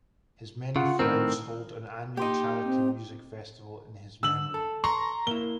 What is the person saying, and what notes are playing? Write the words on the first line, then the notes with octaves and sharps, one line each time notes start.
His many friends hold an annual charity music festival in his memory.
C#3 F4 F#5
A2 D#3 C4 A#4 E6
A#3 D#4 G4 C6
C4
D3 E6 F#7
A4
A#5 C6 C#6
A#3 E4 G7